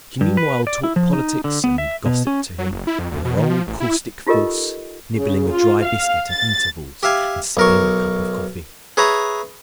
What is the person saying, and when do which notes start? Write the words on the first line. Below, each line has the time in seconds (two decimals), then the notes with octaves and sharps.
She meanwhile talked politics and gossip to him, with her old, caustic force, nibbling a dry biscuit at intervals and sipping a cup of coffee.
0.21 G2
0.37 B4
0.67 D5
0.84 E4
0.96 F3
1.13 D#4
1.44 D3
1.64 B3
1.78 E5
2.06 B2
2.27 C#4
2.58 F#3
2.71 F#1
2.87 E4
2.99 F2
3.11 D2
3.25 B2
3.37 D#3
3.49 F3
3.67 A1
3.80 E4
4.27 D#4 F4 G4 A4 A#4 D#5
5.16 C#3
5.50 F4
5.83 F5
6.31 A6
7.03 G4 E5 F5 G#5
7.57 B1 A#4 C#6
8.97 G#4 B4 C#5 E5 A#5